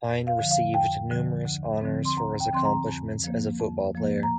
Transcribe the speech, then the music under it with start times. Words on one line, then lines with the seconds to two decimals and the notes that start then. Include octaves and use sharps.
Hein received numerous honors for his accomplishments as a football player.
0.03 F2
0.27 F5
0.39 D3 F3
0.51 F5
0.74 F2 G5
1.10 D3 F3
1.45 D2
1.81 D3 F3 C4
2.05 C6
2.18 D2 A#5
2.40 G5
2.53 D3 F3 C4 C6
2.65 A#5
2.88 F2
3.24 F3 A#3
3.59 F2
3.95 F3 A#3
4.23 A#5